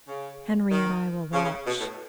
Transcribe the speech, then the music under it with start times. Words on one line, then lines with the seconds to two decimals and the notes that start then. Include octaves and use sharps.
Henri and I will watch.
0.08 C#3
0.71 D#3
1.33 C#3
1.44 C#3
1.66 B2
1.80 A2